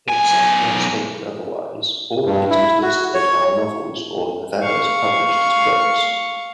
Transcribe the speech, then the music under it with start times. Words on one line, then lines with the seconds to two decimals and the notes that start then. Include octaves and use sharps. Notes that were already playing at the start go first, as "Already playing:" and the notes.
Except where stated otherwise, all items listed are novels or novellas published as books.
0.10 B1 G#5
2.26 G2
2.50 E4
2.82 F#4
3.14 C#5
4.62 F5 C#6